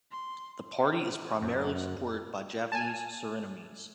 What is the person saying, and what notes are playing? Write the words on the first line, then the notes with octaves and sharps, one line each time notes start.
The party is primarily supported by Javanese Surinamese.
C6
F#2
G#5 A5